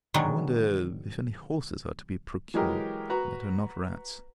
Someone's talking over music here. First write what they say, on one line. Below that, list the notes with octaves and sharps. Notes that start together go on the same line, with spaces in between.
I wonder if any horses are to be procured that are not rats.
B2 D3 D#3 F#3 G#3
E3 F#3 G#3 G4 A#4
F#4 B4 A#5